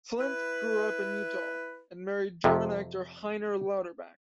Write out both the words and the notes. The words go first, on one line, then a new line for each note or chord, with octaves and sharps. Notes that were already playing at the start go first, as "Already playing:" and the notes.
Flint grew up in Utah and married German actor Heiner Lauterbach.
E4 B4
F2 C3